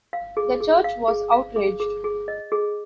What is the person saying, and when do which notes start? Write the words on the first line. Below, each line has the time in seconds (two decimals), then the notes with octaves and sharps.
The church was outraged.
0.13 F5
0.37 G#4
0.60 G#4
0.84 F5
1.08 G#4
1.32 F5
1.56 G#4
1.80 G#4
2.04 G#4
2.28 D#5
2.52 G#4